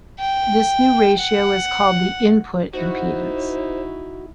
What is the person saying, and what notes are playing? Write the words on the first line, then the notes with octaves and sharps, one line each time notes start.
This new ratio is called the input impedance.
G5
F#5
D#4 E4 F#4 C5